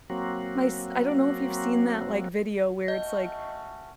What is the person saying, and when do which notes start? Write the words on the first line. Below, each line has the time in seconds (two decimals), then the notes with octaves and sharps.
my s I don't know if you've seen that, like, video where it's like,
0.10 F#3 A#3 C4 F#4
2.88 A3 C#4 F#4 D#5 G6